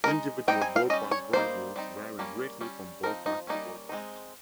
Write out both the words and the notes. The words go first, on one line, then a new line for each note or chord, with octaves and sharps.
Individual ballpark ground rules vary greatly from ballpark to ballpark.
G#3 D#4 A#4
G3 C4 D#4 G5
G#5
F5
G3 C#4 D#5
C#5
G3 A#3 D#4 C5
G3 C4 D#4
G3 A#3 C#4
G3 C#4
F3 C4 D#4 A#4
D#4
G3 A#3 C#4 D#4
G#3 C4 D#4